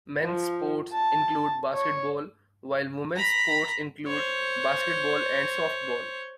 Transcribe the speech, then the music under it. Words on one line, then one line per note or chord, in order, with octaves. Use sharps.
Men's sports include baseball, while women's sports include basketball and softball.
F3
A5
C#5
A#5 B5
C5 C#5